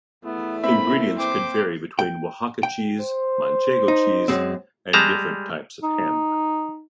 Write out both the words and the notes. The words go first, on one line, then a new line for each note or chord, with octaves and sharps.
Ingredients could vary between Oaxaca cheese, Manchego cheese and different types of ham.
E2 A3 B3 E4
A#3 C4 E5 B5
C5 G5 D6
G5
G5
C5
D#4
F#2 G#3 C4
G3 G#3 A5 A#5
D#4